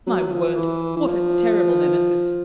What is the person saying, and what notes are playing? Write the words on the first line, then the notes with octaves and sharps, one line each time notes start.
My word! what a terrible Nemesis.
F#3
F#3
F3
E3
E3
F3